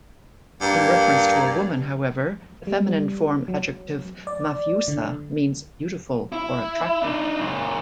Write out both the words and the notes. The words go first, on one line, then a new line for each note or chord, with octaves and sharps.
In reference to a woman, however, the feminine-form adjective "mafiusa" means 'beautiful' or 'attractive'.
G2 A#3
G3
F#3
D5
D3
E4
D4 D#4
F#2 A#2